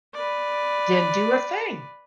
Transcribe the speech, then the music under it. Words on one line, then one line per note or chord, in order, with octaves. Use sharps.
didn't do a thing.
B4 D5